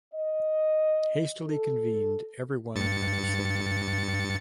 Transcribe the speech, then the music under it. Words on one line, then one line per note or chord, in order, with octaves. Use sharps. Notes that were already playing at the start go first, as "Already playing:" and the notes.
Hastily convened everyone at the Sobor.
D#5
A4
G2 A6 C#7